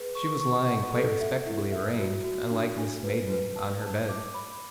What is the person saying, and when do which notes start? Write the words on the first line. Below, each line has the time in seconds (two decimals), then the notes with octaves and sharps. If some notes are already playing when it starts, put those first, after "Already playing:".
She was lying, quite respectably arranged, unlike Mrs Maidan, on her bed.
Already playing: G#4 B4
0.15 C#6
0.41 C#6
0.67 F#5
0.94 A4
1.21 E5
1.46 E4
1.72 E5
1.99 F#4
2.24 F#4
2.51 D4
2.78 D4
3.04 B4
3.30 B4
3.56 A5
3.82 A5
4.09 D6
4.34 B5